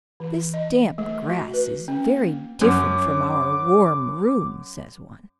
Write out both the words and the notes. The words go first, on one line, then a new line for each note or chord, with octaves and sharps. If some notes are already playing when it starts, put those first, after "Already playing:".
"This damp grass is very different from our warm room," says one.
E3
D#5
A3
F#4
B4
C#4
A#3
F#2 C#4 D6